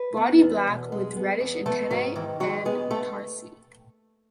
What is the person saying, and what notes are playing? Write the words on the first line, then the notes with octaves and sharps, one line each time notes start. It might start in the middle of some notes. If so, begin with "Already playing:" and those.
Body black with reddish antennae and tarsi.
Already playing: B4
B3
E2
B2
G#3
B3
E2
A3 B3 A4
G#2 F#3 F#4
D#3 E3 E4
F#3 G#3 F#4
G#3 B3 G#4
A3 A4